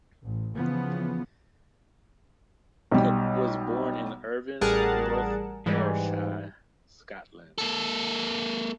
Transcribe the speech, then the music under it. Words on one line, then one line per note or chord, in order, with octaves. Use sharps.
Cook was born in Irvine, North Ayrshire, Scotland.
A1
C#3 E3 F3 B3
B1 G3
A1 G3 G#4 A#4 F#5 A5
G#2 E3 G3
A#3 A4